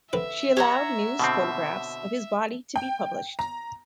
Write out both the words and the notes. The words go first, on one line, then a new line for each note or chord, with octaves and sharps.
She allowed news photographs of his body to be published.
D3 C4 B4 E5
G4 C#5 F#5 A#5
B2 D3 C4
G5
A#5